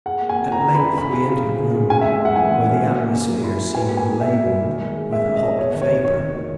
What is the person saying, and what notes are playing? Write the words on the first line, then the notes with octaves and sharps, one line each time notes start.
At length we entered a room where the atmosphere seemed laden with hot vapor.
G#4 F#5
A#3
G#5
A#3
E4 A#5
B4
B5
E4
C#3 B5
C#3
C#3
F#3
C#3
C#3
C#4 G#5
E5
G#3
E5
G#3 F#5
E3 G#5
G#3
C#4
A#2
A#3
A#3
F#3
E4
F#3
B4 G#5
A#3
G#5
A#3
A#3 E5
A#3
A#3
D#3
G#3
G#4
G#3 E5
C#4
D#5
G#4
B3 C#5
D#3
C#5
D#3
F#4 C#5
D#3
D#3